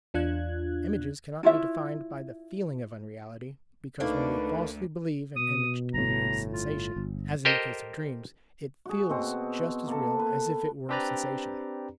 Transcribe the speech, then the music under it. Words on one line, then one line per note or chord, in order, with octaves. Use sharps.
Images cannot be defined by the FEELING of unreality, because when we falsely believe an image to be a sensation, as in the case of dreams, it FEELS just as real as if it were a sensation.
E2 D4 F4 F#6 G#6
E4 F4 C#5 E5
D2 D3 A3 A#3 D4 D#4 A4 B4
B2 D#6
G1 A2 A#5
F4
G1
G4 A4 A#4 C5 D#5
F#4 G#4
B2 C4 F#5
A#3 A4
B4
C4 D4 G4 B4 D5 A#5